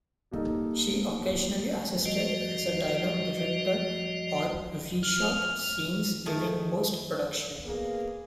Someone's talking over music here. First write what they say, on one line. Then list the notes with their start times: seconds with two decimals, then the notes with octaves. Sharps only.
She occasionally assisted as a dialogue director, or re-shot scenes during post-production.
0.31 G3 A#3 D#4 A4
2.06 F3 G3 F#4 D#5
5.03 F6
6.26 D#3 A3 G#4
7.66 A#3 B3 G#4